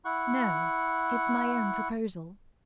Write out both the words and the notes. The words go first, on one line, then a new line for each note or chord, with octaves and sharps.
"No; it's my own proposal."
E4 F#5 C#6